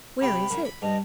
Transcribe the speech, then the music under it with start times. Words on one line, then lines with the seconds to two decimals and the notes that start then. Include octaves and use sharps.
'Where is it?
0.22 C3 G5 B5
0.51 F#2
0.65 B5
0.82 G2 D#5